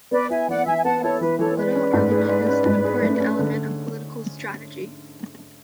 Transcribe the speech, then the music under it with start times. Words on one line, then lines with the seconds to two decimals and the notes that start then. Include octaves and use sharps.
In this case, political argument is an important element of political strategy.
0.11 B3 B4 D5
0.29 E4 E5 G#5
0.48 E3 D5 F#5
0.66 E3 E5 G#5
0.77 G#5
0.84 B3 F#5 A5
1.02 E4 A4 C#5
1.20 E3 B4
1.38 E3 A4 C#5
1.57 G#3 B4 D5
1.76 C#4
1.93 G#2
2.11 G#4
2.29 G#3
2.48 C#4
2.66 G#2
2.84 G#4
3.02 A3
3.20 C#4
3.39 D3